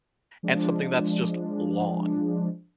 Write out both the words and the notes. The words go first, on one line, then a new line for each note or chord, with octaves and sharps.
and something that's just long.
F3 G#3 D4